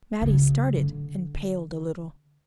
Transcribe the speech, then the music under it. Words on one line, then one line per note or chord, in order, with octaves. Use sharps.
Mattie started and paled a little.
C#3 F#3
D3